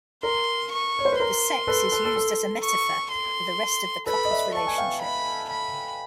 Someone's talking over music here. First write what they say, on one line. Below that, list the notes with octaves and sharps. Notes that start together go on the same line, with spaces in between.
The sex is used as a metaphor for the rest of the couple's relationship.
A#4 C6
C#6
C#5
C5
B4
A#4 C6
A4 B4
A4
A4
A4
C#6
C6
A4 B4 B5
D#5
D5 E5
A5 C#6
G#5
F5 G5
B5
B5